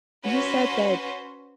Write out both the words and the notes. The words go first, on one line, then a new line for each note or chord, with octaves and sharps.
You said that
C#4 F#4 B4 C5